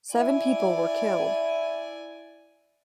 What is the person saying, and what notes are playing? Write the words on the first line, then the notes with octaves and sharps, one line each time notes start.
Seven people were killed.
E4 D5 G#5